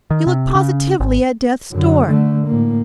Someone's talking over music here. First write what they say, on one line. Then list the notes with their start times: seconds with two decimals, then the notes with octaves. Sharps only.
You look positively at death's door.'
0.10 D#3
0.27 C3
0.55 C#3
1.00 G#1
1.72 F#2 D3
2.07 D3 A3
2.47 A2 A#3